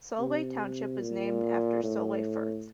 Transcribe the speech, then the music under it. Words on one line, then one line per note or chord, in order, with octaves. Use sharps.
Solway Township was named after Solway Firth.
C3
A#2
A2